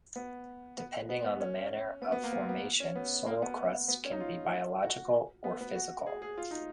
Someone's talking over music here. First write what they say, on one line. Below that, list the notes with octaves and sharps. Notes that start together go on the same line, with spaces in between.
Depending on the manner of formation, soil crusts can be biological or physical.
B3
B3
B3
B3
C#4
B3
B3
A#3
B3
B3
C#4
B3
A#3
B3
B3
C#4
D#4
F4
F#4
B3
B3
F#4
G#4
G#4
F4
D#4